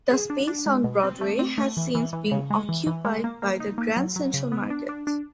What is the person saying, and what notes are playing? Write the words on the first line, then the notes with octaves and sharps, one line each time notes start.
The space on Broadway has since been occupied by the Grand Central Market.
G#4
D4
D4
G#3
B2
C4
A3
C4
A3
E3
E3
E3
C#3
G#3
E3
E3
G#3
A#3
A#3
D#4
A#3
F#3
F#3
C#3
B3
D4
D4
D4